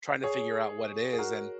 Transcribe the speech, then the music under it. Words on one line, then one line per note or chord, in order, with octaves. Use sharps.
trying to figure out what it is, and,
G#4 C#5
G#4
F#4 A#4